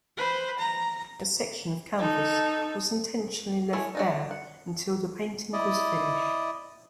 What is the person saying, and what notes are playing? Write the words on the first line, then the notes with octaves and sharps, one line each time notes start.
A section of canvas was intentionally left bare until the painting was finished.
B4 C5
A#5
D#4 A4
G#3 A3 E4 C#5
F#3 D4 D#4
F#5
E4 D5 D#5